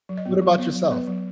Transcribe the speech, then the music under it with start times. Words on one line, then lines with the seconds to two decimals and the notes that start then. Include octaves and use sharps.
what about yourself?
0.09 F#3
0.17 D#5
0.26 B3
0.42 F#3
0.59 B3
0.75 F#3
0.91 B3 B4
1.08 F#3